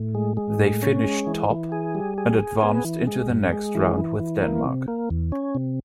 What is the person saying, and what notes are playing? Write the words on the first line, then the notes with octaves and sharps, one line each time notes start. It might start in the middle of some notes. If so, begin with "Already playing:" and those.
They finished top and advanced into the next round with Denmark.
Already playing: A2
G#3
G#3
A2
C#4
G#3
E3
E3
G#4
G3
G#4
G#4
B3
E3
G#3
G2
G#3
E3
E3
E3
A#3
C3
A#3
E2
C#4
C3